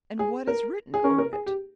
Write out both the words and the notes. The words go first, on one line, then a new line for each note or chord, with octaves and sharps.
"And what is written on it?"
G#4
A#4
G#4
C#4 A#4
A#4
G#4
G4